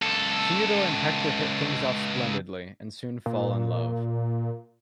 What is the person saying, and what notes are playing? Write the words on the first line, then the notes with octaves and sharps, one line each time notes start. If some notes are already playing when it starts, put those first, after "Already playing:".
Theodora and Hector hit things off splendidly, and soon fall in love.
C#2 A4
A#2